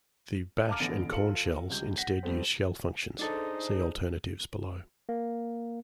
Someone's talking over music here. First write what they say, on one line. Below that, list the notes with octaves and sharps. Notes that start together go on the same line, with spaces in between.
The Bash and Korn shells instead use shell functions - see Alternatives below.
F5 A5 A#5 D6 F6
A1 D3 B3 A6 A#6 D7
F4 A4 C#7 F#7
C#2 G3 G6
F#5 A#6 B6
F3 G3 A3 B3 C4
D4 D#4 G#4 A4 C5
A#3